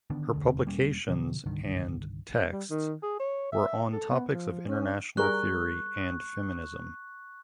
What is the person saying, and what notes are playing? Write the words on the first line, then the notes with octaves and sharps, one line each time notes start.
Her publications and texts were on topics of international theory and feminism.
D3 D#3 B3 D4
E1 D2 D3
E1 G3 A#3 C#4
B2 D3 F3 F#3
C2 G2 D3 D#3
G3
D#3
G#4
C#5
E5
A4
B3
F3
C#4
G3 G#4 A#4 C#6 F#6